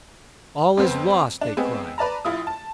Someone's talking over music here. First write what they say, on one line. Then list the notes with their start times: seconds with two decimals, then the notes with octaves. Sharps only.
"All is lost!" they cried.
0.77 F2 B3 C4 C5
1.41 D4
1.57 G#3 B3 C4 G#4
1.98 B4 D5 A5 A#5
2.25 A#1 E4 F4 D#6
2.47 A5